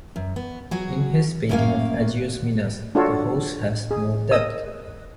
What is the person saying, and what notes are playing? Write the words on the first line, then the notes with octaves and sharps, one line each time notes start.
In his painting of Agios Minas the horse has more depth.
F#2
B3
F#3 F#4 G#4
F#2 A2 G#3 A#3 C#4 F5
D4 F4 F#4 A4 C#5 D5
G#4
A#4 D#5 D#6 E6